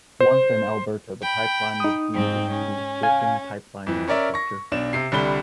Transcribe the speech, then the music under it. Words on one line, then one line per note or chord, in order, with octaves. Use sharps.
Once in Alberta, the pipeline would feed into the existing pipeline infrastructure.
C5
G5 B5
D#4 D#6
G#2 C4 G5
C#4
F5 G#5 G#6
F2 E3
C#4 A#4 D5 E5
C#6 A#6
B1 D4 E7
C3 C7
C2 D3 G3 B5 G7